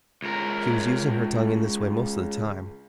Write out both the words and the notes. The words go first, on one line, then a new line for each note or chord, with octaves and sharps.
She was using her tongue in this way most of the time.
C#2 A#4